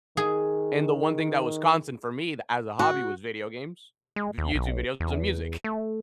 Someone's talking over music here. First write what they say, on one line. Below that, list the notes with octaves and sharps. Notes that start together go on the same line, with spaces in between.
And the one thing that was constant for me th as a hobby was video games, v YouTube videos and music.
D#3 G#4
F#4
G#3
D#2
B1
E2
A3